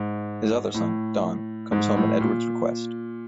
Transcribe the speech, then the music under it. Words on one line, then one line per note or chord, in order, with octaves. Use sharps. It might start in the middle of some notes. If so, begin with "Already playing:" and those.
His other son, Don, comes home at Edward's request.
Already playing: G#2
A2
G#2
A2
A#2